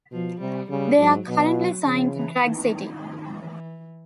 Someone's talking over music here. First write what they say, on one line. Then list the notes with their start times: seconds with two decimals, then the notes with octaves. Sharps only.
They are currently signed to Drag City.
0.11 B2 F3
0.40 C3 G3
0.70 C#3 G3
0.98 G#2 F#3
1.27 B2 F#3
1.57 F#3
1.86 C#3 F3
2.15 E3
2.44 D#3 E3
3.32 E3